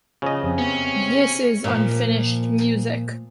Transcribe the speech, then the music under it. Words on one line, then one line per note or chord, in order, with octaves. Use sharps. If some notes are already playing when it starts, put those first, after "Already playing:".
This is Unfinished Music.
C#3 F3 D#5
F2 C3
B3 C#4
A#2 F3